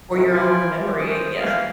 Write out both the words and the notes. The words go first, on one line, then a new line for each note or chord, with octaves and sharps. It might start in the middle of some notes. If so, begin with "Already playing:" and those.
Or your own memory. Yeah.
A2 C3 D#3 G3
E4 F4 G5 G#5
F#2 E3 G4
G2 A3 C#4 D#5
C5
E3 F5